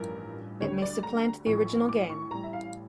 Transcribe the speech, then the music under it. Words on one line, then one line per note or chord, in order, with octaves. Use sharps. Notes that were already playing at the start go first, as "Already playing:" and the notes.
It may supplant the original game.
Already playing: A1 G2 F3 A#4
D2 D3 G3 C#5
D5
A#5
A1 A2 F3 C#6
D6
C#6
A1 A2 G3 A#5
E5
F5